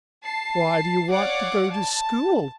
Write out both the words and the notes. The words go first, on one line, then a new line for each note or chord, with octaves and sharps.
Why do you want to go to school?
A5 C7
C#5 D5 F5 F#5 D6
A5